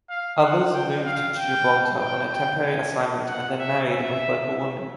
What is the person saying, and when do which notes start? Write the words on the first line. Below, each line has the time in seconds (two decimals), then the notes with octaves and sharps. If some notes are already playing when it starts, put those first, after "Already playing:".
Others moved to Gibraltar on a temporary assignment and then married with local women.
0.10 F5
0.42 F#5
0.74 G5
1.05 F5
1.36 G5
2.00 G5
2.32 G5
2.64 G#5
3.27 F#5
3.58 E5
3.91 E5